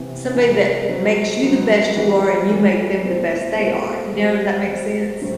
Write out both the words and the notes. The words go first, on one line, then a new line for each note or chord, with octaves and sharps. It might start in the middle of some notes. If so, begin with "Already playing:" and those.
somebody that makes you the best you are, and you make them the best they are, you know, does that make sense?
Already playing: C3 E3 B3
C3 E3 B3
F#3 B3 F#4 C5
F#3 B3 F#4 C5
E3 G3 B3 F#4
E3 G3 B3 F#4
B2 A3 C4 F#4 A4
B2 A3 C4 F#4 A4
G3 C4 F#4
G3 C4 F#4
A2 F#3 C4